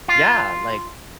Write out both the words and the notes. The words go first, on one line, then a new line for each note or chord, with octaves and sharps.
Yeah, like
F4